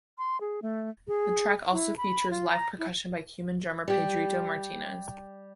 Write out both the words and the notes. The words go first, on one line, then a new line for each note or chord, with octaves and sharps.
The track also features live percussion by Cuban drummer Pedrito Martinez.
C6
G#4
A3
G#4
E4
B5
F4
A#5
E4
G3 G4